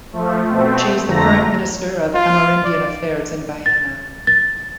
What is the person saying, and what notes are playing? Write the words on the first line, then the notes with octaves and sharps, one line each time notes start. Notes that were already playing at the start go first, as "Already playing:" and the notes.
She is the current Minister of Amerindian Affairs in Guyana.
F3 A3
B2 A3 C4
F2 D3 A3 A#5 A#6
F4
D5
A6
A6